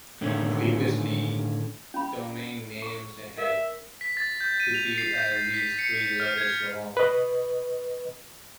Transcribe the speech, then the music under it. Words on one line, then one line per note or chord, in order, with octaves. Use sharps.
Previously, domain names had to be at least three letters long.
A2 D3 D#3 C#4
C#4 B5
C#6
A#4 E5
B6
A6
G6
D#7
F7
C7
G6
A6
B6
C#7
F6
G#6
B4 D#5